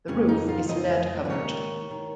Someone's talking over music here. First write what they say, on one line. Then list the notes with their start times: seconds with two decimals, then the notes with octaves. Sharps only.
The roof is lead covered.
0.08 F2 C#3 C#4
0.28 D#4
0.49 F4
0.69 F2 C#3 D#5
1.25 B4
1.30 D#2 D#3 C#5
1.91 D#3